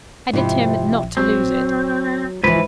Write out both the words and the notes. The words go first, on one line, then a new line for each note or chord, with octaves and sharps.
I determined not to lose it.
F2 G#2 C3 E4
A#1
F#3 C4
C#2 G#2 E3 F3 B4